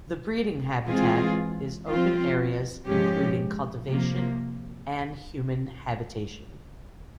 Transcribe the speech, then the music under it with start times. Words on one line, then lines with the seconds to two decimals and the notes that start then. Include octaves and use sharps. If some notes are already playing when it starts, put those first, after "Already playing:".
The breeding habitat is open areas including cultivation and human habitation.
0.88 E3 G#3 C4 F4 G#4
1.87 F3 C4 F4
2.86 G#2 F3 G#3 C#4 G4
3.86 C3 F3 A#3